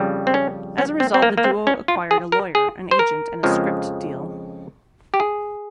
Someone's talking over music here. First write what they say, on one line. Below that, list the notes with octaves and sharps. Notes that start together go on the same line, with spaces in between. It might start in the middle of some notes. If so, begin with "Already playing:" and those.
As a result, the duo acquired a lawyer, an agent, and a script deal.
Already playing: F2 C#3 G3
C4
C#4
C#4
C4
C4
A#3
A#3
C4
C#4
F4
G#4
A#4
G#4
C5
A#4
F2 C#3 F3 G#3
G4
G#4